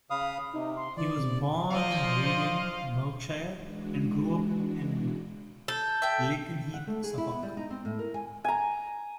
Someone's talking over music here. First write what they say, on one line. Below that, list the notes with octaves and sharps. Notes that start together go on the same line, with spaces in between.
He was born in Reading, Berkshire and grew up in Lakenheath, Suffolk.
C#3 F5 B5 D#6
C3 D#4
C6
E3 D5
C3
F3 C5 D5 D#5 F5
E3 G#3 D4 F#4
A4 G6
E5 G5
F#5
A3
G#4
E4
B3
G3
D#4
C4
A2
A#4
G#5
G#5 A#5